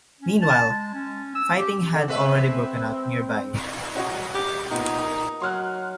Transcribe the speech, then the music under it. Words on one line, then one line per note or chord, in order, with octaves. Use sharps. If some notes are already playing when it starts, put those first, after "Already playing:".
Meanwhile, fighting had already broken out nearby.
C#4
A5
G#3
C#4
E6
G4
D3
G#3 C4 B4 E5
C#4 F#4 D#5
G4
A#2 B3 D#4
A#4
F#3 C6 F6 F#6